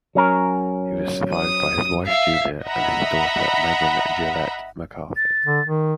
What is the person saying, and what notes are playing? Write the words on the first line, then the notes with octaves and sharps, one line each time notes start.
He was survived by his wife Julia and his daughter Megan Gillette McCarthy.
F#3 C#4 A#4
D#6
E5 F5
D#5 E5 F#5 A#5 B5
A6
D3
D#3